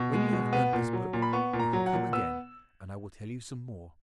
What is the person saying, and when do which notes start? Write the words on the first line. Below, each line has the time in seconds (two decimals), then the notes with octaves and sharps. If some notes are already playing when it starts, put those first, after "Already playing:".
When you have learnt this book, you can come again, and I will tell you some more.
Already playing: B2
0.13 G#3
0.33 B2
0.53 B3
0.73 A#2
0.93 F#3
1.13 A#2
1.22 B5
1.33 B3 C#6
1.53 A#2
1.59 A#5
1.73 F#3
1.86 F#5
1.93 A#2
2.13 B3 E6